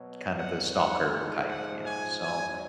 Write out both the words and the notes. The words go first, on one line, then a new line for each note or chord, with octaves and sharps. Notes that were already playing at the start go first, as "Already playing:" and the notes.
kind of the stalker type, you know? So,
Already playing: B2 F#3
F#5
G#2 F3 F#5
F#5
G#5
G#2 F#3 G#5